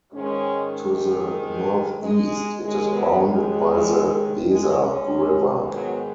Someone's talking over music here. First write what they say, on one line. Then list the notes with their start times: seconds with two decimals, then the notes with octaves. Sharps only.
To the northeast it is bounded by the Weser river.
0.13 G#2 D#3 G#3 C#4
2.00 G#3
2.61 D#2 D#3 G#3
2.92 F#3 B3
3.24 G#3
4.47 G#3
4.78 G#3 C#4
5.10 G#2 D#3
5.71 F#3 B3